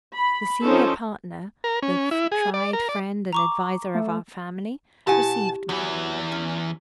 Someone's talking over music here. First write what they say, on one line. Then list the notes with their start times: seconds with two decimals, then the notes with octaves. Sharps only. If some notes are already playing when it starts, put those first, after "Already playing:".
The senior partner--the tried friend and adviser of our family--received me.
0.15 B5
0.65 F3 C#4 D#4 A4 C5
1.64 A#4
1.83 C#4
2.11 E4
2.32 G#4
2.54 D5
2.73 A#4
2.89 D5
3.33 A#5 C#6 D6
3.95 A3
5.07 B2 E4 G4 F#5 G#5 A5
5.69 E2 E3 F#3
6.32 C#4